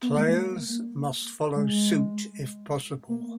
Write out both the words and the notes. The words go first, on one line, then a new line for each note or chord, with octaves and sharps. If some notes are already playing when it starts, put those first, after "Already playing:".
Players must follow suit if possible.
B3
A#3
G#3
A#3
G#3
A#3